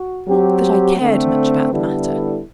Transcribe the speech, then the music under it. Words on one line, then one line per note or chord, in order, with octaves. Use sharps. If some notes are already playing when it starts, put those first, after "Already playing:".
Not that I cared much about the matter.
Already playing: F#4
F#3 C4 G4
D3 A3 C4
D3 G3 B3 E4 A4